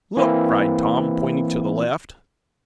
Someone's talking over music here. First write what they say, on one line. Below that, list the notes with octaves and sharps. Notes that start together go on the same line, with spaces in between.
"Look!" cried Tom, pointing to the left.
E3 A#3 C4 E4